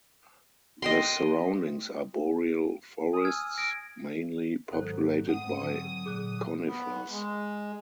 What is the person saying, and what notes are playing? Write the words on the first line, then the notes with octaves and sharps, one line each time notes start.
The surroundings are boreal forests mainly populated by conifers.
D#5 G5 C6
G#5 D#6
E6 F6 G#6
A#6 D7
G#1 F#3 A4 C5 F#6
G#2 C4 F#5 D#6
D3 F#3 A4
A#2 G#4 D6 F#6
B3
G#3